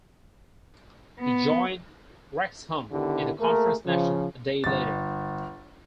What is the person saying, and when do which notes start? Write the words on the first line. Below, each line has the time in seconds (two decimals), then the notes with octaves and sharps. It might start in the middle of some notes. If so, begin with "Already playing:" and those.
He joined Wrexham in the Conference National a day later.
1.19 B3
2.91 D3 D#3 B3 E4 G4
3.39 A3 A#3 G#4 A#4
3.85 C#3 F3
4.64 G1 A6